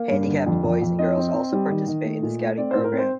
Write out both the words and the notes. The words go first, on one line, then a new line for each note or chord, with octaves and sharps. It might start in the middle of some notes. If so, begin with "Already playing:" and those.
Handicapped boys and girls also participate in the Scouting program.
Already playing: A#3 F5
G2
D3
F2
F2
F2
C4 D#5
C4
C4
G3
D#3
D#3
A3
A#2
A3
C4 D5
A2 C5
A#4
C4 C5